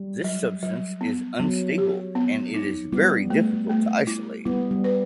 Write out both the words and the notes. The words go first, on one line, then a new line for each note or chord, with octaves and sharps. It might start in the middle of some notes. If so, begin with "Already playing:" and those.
This substance is unstable and it is very difficult to isolate.
Already playing: G3
F#3
F#3
B3
F#3 B3
G4
B3
D#4
G3 B3 E4
A3
A3
E4
G3 B3 E4
G3
B4